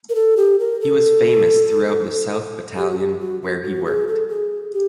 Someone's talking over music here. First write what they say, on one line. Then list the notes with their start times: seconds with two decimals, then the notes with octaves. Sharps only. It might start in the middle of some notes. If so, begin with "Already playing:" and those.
He was famous throughout the South Battalion where he worked.
0.09 A#4
0.15 A4
0.37 G4
0.59 A#4
0.81 A4
2.77 G4
2.90 F#4
2.98 G4
3.20 F#4
3.42 F#4
3.63 F#4
3.85 G#4
4.08 A4
4.29 G#4
4.73 G4